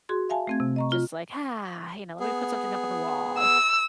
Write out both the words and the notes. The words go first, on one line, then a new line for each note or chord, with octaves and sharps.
just like, ah, you know, let me put something up on the wall.
F#4 G#4 C6
E5 F5 G#5 A5
A3 C4 G#6
C3
D#5 A#5 C#6
F4
B3 G#4
E6